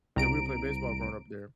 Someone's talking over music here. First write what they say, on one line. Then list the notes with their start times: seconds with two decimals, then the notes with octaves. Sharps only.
yeah, we would play baseball growing up there,
0.16 C2 A#5 D7